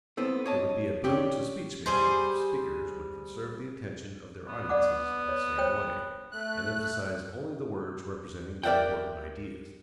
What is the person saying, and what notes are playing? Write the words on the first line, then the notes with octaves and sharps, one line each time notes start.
It would be a boon to speech-making if speakers would conserve the attention of their audiences in the same way and emphasize only the words representing the important ideas.
B3 C4 E4 A4
C#5 D#5 A5
C#4 D4 G4 D5
G3 G#4 C5
B3
D5 F#5 D6
C#5
C5 C#5 G5
A3 F#6
G4 A#4 D5 E5 F#5 G5